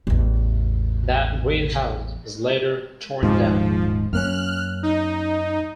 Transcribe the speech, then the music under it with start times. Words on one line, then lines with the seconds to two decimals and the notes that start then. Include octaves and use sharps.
That greenhouse was later torn down.
0.07 A1 E2
3.23 D#1 G#2 F3
4.13 F#2 A#3 C#4 F6 F#6
4.83 D#4